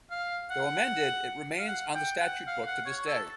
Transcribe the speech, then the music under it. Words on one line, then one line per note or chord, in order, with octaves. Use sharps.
Though amended, it remains on the statute book to this day.
F5
F#5
F5
F#5
G5
F#5
F5
F#5
C#5
A4